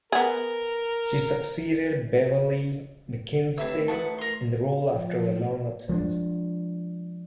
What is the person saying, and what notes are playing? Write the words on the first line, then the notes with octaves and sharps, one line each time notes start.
She succeeded Beverlee McKinsey in the role after a long absence.
B3 G#4 A#4
A2 C3 E3 E4 E5 E6
A1 D2 B4 F#5 A5 C#6
A#4 C6
F3
F3 G#3 C#4 D4